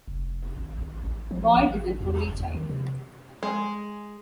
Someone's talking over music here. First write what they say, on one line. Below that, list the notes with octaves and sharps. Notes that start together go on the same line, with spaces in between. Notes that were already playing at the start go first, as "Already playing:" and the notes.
Boyd is an only child.
F1
G#1
G#1
A1
F3
G#1
E2
F#1
D#2
D#3
C3
G#3